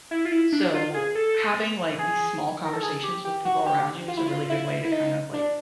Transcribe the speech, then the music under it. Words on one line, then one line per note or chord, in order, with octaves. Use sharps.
So, having, like, these small conversations with people around you is a really good way to, kind of, like,
E4
F4
E4
D4
F4
G#4
A4
G#4
A#4
A4
G#4
G4
G4
F#4
G4
F4
E4
F4
E4
E4
D#4
D4